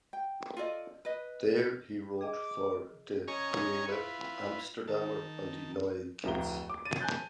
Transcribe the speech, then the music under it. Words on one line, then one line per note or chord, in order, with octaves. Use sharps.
There he wrote for De Groene Amsterdammer and De Nieuwe Gids.
G5
F4 A4 D5 D#5
B4 D#5
G#4 D#5 D6
C#4 C#5 D#5 G#5 A#5 C#6
E4 F4 B4
D#3 A5
D1 F2 E5 A#5 G7
D6
A6 D#7
G#5 A5 F#6 G6 A6